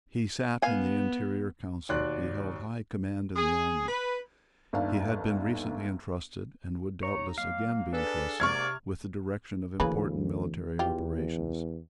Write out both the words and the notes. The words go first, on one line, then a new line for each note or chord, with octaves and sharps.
He sate in the interior council; he held high command in the army; he had been recently entrusted, and would doubtless again be entrusted, with the direction of important military operations.
B3 F5 G#5
D#2 B2 D5 C6 F#6
G#4
B4
G1 D#2 D4 F5
D#2 D#4 C#5 A#5
F#3 G#3 A#3 F5
D4 G#4 A4 B4
G#2 C3 A#3 D5 C#6 F6 G#6
D2 C#3 E3 A#3 B4
E2 F4 G4